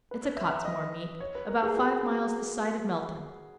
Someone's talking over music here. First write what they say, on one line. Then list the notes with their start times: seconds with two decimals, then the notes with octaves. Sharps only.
"It's a Cottesmore meet,--about five miles this side of Melton."
0.11 B4
0.23 C#5
0.37 E5
0.51 E5
0.65 D#5
1.20 C#5
1.35 B4
1.48 A#4
1.63 G#4
1.77 F#4